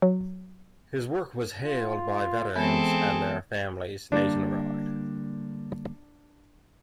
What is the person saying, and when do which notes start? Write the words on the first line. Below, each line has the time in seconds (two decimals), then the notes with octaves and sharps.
His work was hailed by veterans and their families nationwide.
0.02 F#3
1.64 F4
2.56 E3 G#3 B3 C4 G#4 A4
4.12 D3 G3 A#3 D4